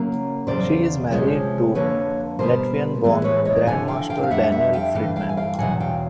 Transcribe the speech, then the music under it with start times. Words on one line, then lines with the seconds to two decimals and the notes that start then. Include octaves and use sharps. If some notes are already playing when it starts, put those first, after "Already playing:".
She is married to Latvian-born Grandmaster Daniel Fridman.
Already playing: C#3 F#3 A#3
0.47 E2 C#3 F#3 C5 D5
1.11 C3 F3 G#3 C#4
1.75 F2 D3 F3 A#3 B4 C#5
2.39 B2 G3 B3 A#4 C5
3.04 A2 E3 G#3 B3
3.24 B4 C#5
3.45 C#5 D#5
3.67 D3 F3 A3 F#5 G#5
3.88 F5 G5
4.10 F5 G5
4.23 F5
4.30 F2 D3 G3 E5 F#5
4.52 E5 F#5
4.73 F5 G5
4.95 G2 E3 A3 F5 G5
5.16 F5 G5
5.29 G#5
5.37 F5 G5
5.59 E2 B2 F#3 F#5 G#5
5.80 F5 G5